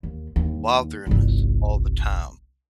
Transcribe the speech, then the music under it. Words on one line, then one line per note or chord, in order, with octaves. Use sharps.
bothering us all the time
D#2
D#2
G1 C2